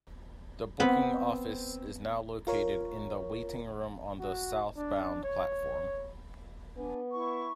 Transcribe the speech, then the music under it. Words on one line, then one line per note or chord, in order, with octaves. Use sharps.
The booking office is now located in the waiting room on the southbound platform.
B3 C4
F4 A#4 C#5
F#4
D4
C#5
B3 D4 G#5
E4 C#6